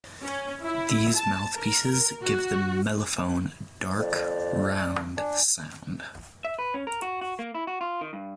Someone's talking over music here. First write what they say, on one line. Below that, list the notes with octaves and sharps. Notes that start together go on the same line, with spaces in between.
These mouthpieces give the mellophone a dark, round sound.
C#4
E4
A5
A#4
F#4
F2 D5
D4 G#5
E5
B4
C#4
A#4
F#4
F#4
A#3
E4
F#4
F4
D#3
G2